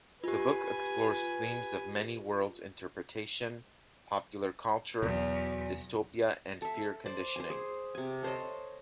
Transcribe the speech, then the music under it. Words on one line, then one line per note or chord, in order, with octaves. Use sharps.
The book explores themes of Many-worlds interpretation, Popular culture, Dystopia and Fear conditioning.
F4 G4 B4 G#5
E2 B2 F#3
A4 E5
C5 D5
C5 G#5
G#4
C3 G#5
A4 C5 C#5 D#5